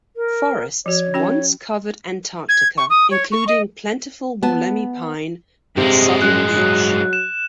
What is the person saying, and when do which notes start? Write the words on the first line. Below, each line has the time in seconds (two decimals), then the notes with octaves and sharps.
Forests once covered Antarctica, including plentiful Wollemi Pine and Southern Beech.
0.16 A#4
0.86 F3 F#4 C#5
1.14 C#4 F#4 G5
2.49 G#6
2.78 C#6
2.90 D#6
3.11 C#5
3.32 C#6
3.47 D#5
4.43 B3 A5
5.77 G2 C3 G#3
6.22 F#2 F#6
6.58 F#3
7.13 E7